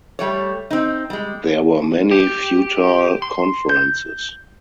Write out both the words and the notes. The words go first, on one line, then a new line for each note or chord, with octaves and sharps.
There were many futile conferences.
G3 A3 C#5
C4 D#4
G3 G#3
G4
C6
G6